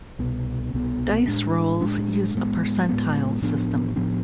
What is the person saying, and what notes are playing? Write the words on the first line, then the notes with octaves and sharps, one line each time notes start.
Dice rolls use a percentile system.
C2 B2 B3
C2 B2 B3
A2 G#3 D4
A2 G#3 D4
A2 G#3 B3
A2 G#3 B3
A2 F3 B3 D4
A2 F3 B3 D4